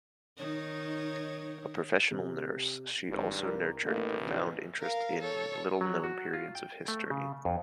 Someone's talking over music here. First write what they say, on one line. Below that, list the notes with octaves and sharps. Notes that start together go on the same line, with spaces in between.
A professional nurse, she also nurtured a profound interest in little-known periods of history.
D#3 D#4 C#5
C3
G#1 G2
C2 A#4
A1 A3 A#3 D#4
D2 C3 E3
A#4 F5
A4 C#5
F#3
F#4
F4
G5
A3
C#3
F2